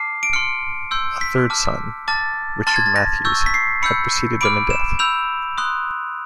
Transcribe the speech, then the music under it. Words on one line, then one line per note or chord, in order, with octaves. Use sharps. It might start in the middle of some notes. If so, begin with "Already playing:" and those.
A third son, Richard Mathews, had preceded him in death.
Already playing: A5 D6 F6 C7
D7
C6 F6 C#7
C6 E6 G6
B6
A5 D6 F6
A5 D6 F6 A6
A5 C6 F6 A6
G#6
A6
A#6
C#6 E6 G6
B6
C7
B5 E6 G6 C#7
B5 D6 F6 D7
E7
B5 E6 G6 F7
C6 D#6 F#6